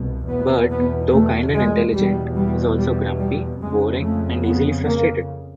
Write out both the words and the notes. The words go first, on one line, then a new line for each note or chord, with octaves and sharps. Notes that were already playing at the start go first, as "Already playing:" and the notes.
Bert, though kind and intelligent, is also grumpy, boring, and easily frustrated.
Already playing: C2 B2
E2 B2 B3
B3
A3
G#3
E2 B2 G3
G3
G3
G3
F2 C#3 G#3
A3
B3
A#3